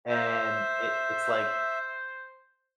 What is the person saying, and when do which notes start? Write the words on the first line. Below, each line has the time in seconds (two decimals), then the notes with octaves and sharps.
And it it’s like
0.09 C5 E5